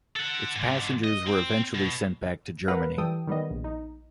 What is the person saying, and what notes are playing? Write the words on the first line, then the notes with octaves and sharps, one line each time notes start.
Its passengers were eventually sent back to Germany.
A4 F#5
G#2 D3
D#5
C4
B2
A#4 B4 F5 F#5 A#5 B5
E3 G3 A4 G5 D#6 E6
D#3 G3 B3 D#5
A#1
D#4